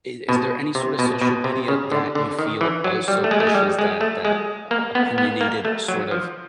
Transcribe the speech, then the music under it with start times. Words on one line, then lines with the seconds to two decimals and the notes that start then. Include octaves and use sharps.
i is there any sort of social media that you feel also pushes that that, uh, opinionated sort of,
0.29 B2
0.75 C3
0.99 B2
1.22 B2
1.44 C3
1.68 C#3
1.92 D3
2.15 D3
2.39 D#3
2.61 E3
2.84 F#3
3.08 G3
3.24 A3
3.31 G#3
3.40 A3
3.47 G#3
3.55 G3
3.79 G#3
4.01 A3
4.25 G#3
4.71 A#3
4.95 B3
5.18 B3
5.41 A#3
5.65 A3
5.88 F#3
6.11 F3